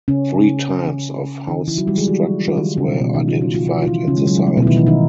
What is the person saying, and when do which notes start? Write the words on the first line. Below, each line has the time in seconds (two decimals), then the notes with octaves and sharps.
Three types of house structures were identified at the site.
0.08 C#3 C#4
1.47 D#3 D#4
1.68 E3 E4
1.78 F#3 F#4
1.87 G3 G4
1.98 G#3 G#4
2.08 F#3 F#4
2.48 F3 F4
2.57 D#3 D#4
2.77 C#3 C#4
2.87 B2 B3
3.01 B2 B3
3.14 D#3 D#4
3.28 F4
3.41 F#4
3.54 F3 F4
3.67 F3 F4
3.83 F4
3.87 E3 E4
4.07 C#3 C#4
4.17 G#3
4.27 F#3
4.37 G3
4.47 A3
4.57 B2 B3
4.62 E4
4.67 D#3 D#4
4.77 E3 E4
4.87 D#3 D#4